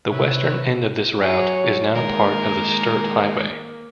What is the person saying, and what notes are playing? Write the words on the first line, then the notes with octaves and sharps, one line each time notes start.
The western end of this route is now part of the Sturt Highway.
C3 B4 C#5 E5
F#3 G#4 C#5
D#3 G#3 A#3 A#4